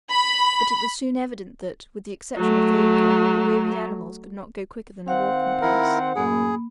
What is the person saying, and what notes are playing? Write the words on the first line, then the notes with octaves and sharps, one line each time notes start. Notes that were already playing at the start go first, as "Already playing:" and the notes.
But it was soon evident that, with the exception of Thaouka, the wearied animals could not go quicker than a walking pace.
B5
F#3 A3
D#3 C4 C5 F5 F#5
E4 A#4
F#2 A2 A#3 G#4 B5